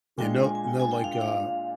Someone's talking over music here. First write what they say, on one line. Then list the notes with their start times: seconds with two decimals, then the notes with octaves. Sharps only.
You know no, like, uh,
0.18 A#2 G#3 D4 F4 G5
0.31 G5
0.43 G#5
0.55 G#5
0.67 G5
0.80 G#5
0.91 G5
1.04 F5
1.12 G5
1.21 F5